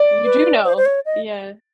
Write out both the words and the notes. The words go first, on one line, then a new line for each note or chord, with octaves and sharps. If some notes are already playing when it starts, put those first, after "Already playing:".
You do know, yeah.
Already playing: D5
B4
C5
C5
C#5
D#5